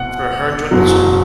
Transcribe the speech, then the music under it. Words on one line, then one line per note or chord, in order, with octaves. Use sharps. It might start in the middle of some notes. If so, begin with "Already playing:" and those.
for her enjoyment, so,
Already playing: B2 F#5
F#1 E2 B2 F#3